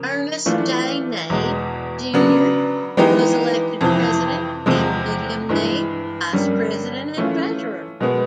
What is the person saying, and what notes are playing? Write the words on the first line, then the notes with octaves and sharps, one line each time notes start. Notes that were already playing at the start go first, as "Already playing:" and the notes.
Ernest J. Knabe, junior was elected president and William Knabe, vice president and treasurer.
Already playing: C#3 F3 A#3
E3 A3 D4 F4
E2 B2 G#3
C#3 F#3 B3 D4
E3 G#3 B3 D#4 G4
F2 C3 E3
E2 C3 F3 G#3
G2 E3 G#3
G2 D3 G3 A#3 C#4
E3 A3 C#4 F4
B2 G#3 B3